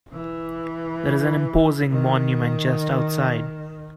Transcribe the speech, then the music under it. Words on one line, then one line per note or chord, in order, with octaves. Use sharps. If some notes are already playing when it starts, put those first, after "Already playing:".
There is an imposing monument just outside.
E3
D#3